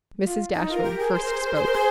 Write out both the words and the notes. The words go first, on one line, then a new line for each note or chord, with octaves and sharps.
Mrs. Dashwood first spoke.
F4
D#4
F4 A#4
G4
G#4
G#4 C5
A#4
G#4
A#4
G#4
A#4
G#4